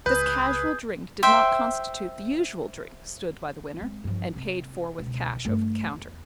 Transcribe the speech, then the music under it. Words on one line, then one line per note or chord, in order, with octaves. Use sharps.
This casual drink did not constitute the usual drink stood by the winner, and paid for with cash over the counter.
C#2 G#4 B4 G6
C5 E5 G5
G#3 C4
G2 F3
C3 C4
C#2 B2
G2 A3
E2